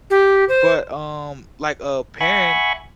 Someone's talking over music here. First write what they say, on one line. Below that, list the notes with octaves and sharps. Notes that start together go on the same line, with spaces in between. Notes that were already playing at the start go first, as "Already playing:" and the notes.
But, um, like, a parent,
G4
C5
E5 F#5 G#5 B5 C#6